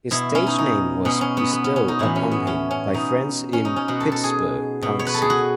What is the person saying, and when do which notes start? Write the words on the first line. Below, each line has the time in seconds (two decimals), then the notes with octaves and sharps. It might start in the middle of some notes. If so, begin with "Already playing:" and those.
His stage name was bestowed upon him by friends in Pittsburgh's punk scene.
0.11 B2 E4
0.35 C#4
0.47 D#4
0.58 D#4
1.05 B2 C#4
1.21 C#4
1.37 B3
1.53 B3
1.64 C#4
1.76 C#4
1.88 D#4
1.99 A2 E3 E4
2.16 C#4
2.31 B3
2.47 C#4
2.71 C#4
2.94 B2 D#4
3.53 C#4
3.65 D#4
3.76 C#4
3.88 B2 F#4
4.00 A4
4.12 A4
4.24 G#4
4.82 B2
4.99 C#5
5.07 B4
5.14 A4
5.22 G#4
5.30 F#4